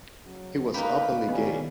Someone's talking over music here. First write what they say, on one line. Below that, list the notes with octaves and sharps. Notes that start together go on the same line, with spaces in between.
He was openly gay.
C#3 F#3
A#3 D#4 A#4 B4 G5 B5
C3 D#3 G3 B3 C#4